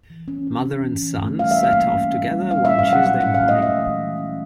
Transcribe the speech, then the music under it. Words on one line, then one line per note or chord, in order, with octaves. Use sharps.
Mother and son set off together one Tuesday morning.
E3
C#4
C#4
C#4
E3
E3
A3
G3 F5
E5
A#3 F5
E3
C#4
E3
G3
C#4 F5
E5
A#2
F5
F#3 F#5
A#2 F#5
C#4 F#5
F5
A3
D#5
G#3 E5
E3
E3
C#4